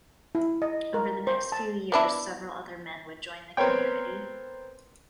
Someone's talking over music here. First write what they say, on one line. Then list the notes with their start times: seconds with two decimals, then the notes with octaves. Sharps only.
Over the next few years several other men would join the community.
0.35 E4
0.62 D#5
0.94 A#4
1.27 C5
1.52 A5
1.92 B3 D4 E4
3.57 B3 C4 A#4 C5 C#5 G5